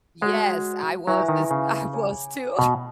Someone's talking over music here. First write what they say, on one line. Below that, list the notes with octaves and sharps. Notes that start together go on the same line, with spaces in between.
Yes, I was this I was, too.
G#3 F#4 C#5 F#5
F#3 E4 B4 E5 G#5
D#3
C#3
G#4 C#5 G#5
B2